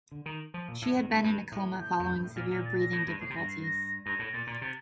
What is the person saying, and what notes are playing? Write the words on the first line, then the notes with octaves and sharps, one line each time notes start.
She had been in a coma following severe breathing difficulties.
D3
D#3
F3
A#2
A2
G2
G2
G2
A2
G6
F2
G2
A2
A#2 F6
A#2
A6
A#6
A2
G2
A2 C7
C3
G2 A#6
C7
A#6
G2 A#6
A2
A#6
A#2 A6
A#2
C3